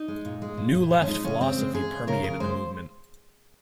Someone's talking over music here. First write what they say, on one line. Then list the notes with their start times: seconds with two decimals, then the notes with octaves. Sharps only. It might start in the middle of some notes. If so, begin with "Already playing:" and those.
New Left philosophy permeated the movement.
Already playing: D#4
0.08 G#3
0.25 A#2
0.42 G#3
0.57 A#2
0.75 A#2
0.90 F3
1.02 C#4
1.07 G#3 D#4
1.24 C#3 C#4
1.40 C#3 C4
1.57 G#3
1.73 G#3 G#4
1.91 C#3
2.07 C#3 A#4
2.23 C#3 A#4
2.40 G#3 C5